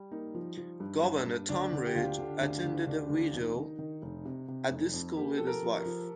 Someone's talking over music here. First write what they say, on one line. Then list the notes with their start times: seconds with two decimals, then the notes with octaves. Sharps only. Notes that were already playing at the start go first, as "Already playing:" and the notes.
Governor Tom Ridge attended a vigil at the school with his wife.
Already playing: G3
0.11 A#3 D#4
0.35 F3
0.57 F3
0.80 G2
1.03 G2
1.26 G2
1.49 D2 D4
1.72 D3
1.86 G4
1.95 D2 F4
2.19 D3
2.41 D2 D4
2.63 D2
2.87 D2 D4
3.10 D2
3.33 F1 D#4
3.56 D#3
3.79 D#3
4.02 F1
4.25 C3
4.48 C3
4.70 F1
4.94 F2
5.17 A#3 G4
5.37 F3 A4
5.47 A#4
5.63 F3
5.78 A#4
5.86 F3